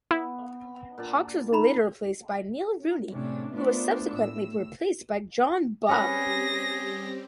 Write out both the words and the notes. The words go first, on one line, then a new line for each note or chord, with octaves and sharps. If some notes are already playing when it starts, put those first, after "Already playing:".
Hawkes was later replaced by Neil Rooney; who was subsequently replaced by John Buck.
B3 E4
A#2 D4 D5
D#4 A#5 B5
A2 C3 C#4 D4
A3 B3 D4 F4 A#4 C5
A2 E6
G3 C4 C#4 G4 G#4 B4 A#6